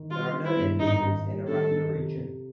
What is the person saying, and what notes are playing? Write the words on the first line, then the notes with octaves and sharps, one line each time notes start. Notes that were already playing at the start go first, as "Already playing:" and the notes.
There are no industries in around the region.
Already playing: D#3
G3 F4
D#3
E4
G2
G#1 D#4
D#3
G3
D#3 A4
D#3
C3
C3